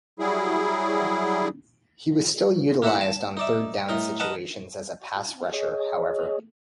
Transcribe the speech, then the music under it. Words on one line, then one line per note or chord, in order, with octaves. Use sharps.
He was still utilized on third-down situations as a pass rusher, however.
F#3 G3 E4 G#4
A#3 E4 F#4 E5 F#5
A5
D#4 D5 E5
A2 D#4 A#4
A#4 B4 D#5 F#5 A5
G#4 C#5 D#5